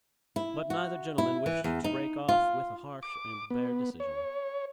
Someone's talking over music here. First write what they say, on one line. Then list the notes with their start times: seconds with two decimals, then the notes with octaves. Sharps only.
But neither gentleman wished to break off with a harsh and bare decision.
0.36 E4
0.70 F#4
1.18 E4
1.46 E3
1.64 E2
1.84 D#4
2.29 F4
3.03 D6
3.50 B3
4.00 C#5